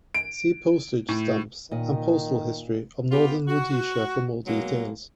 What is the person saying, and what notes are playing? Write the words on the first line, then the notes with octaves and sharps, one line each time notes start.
See Postage stamps and postal history of Northern Rhodesia for more details.
D7
A2
A#2 D#3 D#5
B3 F4 G4
F#4
B2 F#3 G#3 A#3